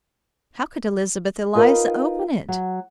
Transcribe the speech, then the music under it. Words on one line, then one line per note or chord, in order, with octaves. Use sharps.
How could Elizabeth Eliza open it?
D#4 F4 A#4 B4 D#5
F#3